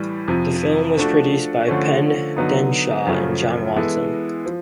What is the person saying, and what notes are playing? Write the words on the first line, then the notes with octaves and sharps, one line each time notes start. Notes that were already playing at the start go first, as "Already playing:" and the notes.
The film was produced by Pen Densham and John Watson.
Already playing: A2 E3 G3
F2 C3 F3
F3 A3 D4 F#4 A4
D3 F3 A3 C#4
D3 F#3 B3 D#4
F#2 C#3 F3 A3
E3 G#3 B3 E4 A4
F3